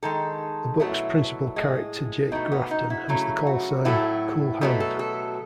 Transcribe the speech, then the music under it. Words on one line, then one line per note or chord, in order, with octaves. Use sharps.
The book's principal character Jake Grafton has the call sign "Cool Hand".
D#3 G#3 A4
B2 F#3 A3 E4
A2 G#3
B2 A3 D#4
B3
D#4
E4
C#3 F#3 A3
F#4
A2 F#3 A3 E4
B2 F#3 A3
A4
A4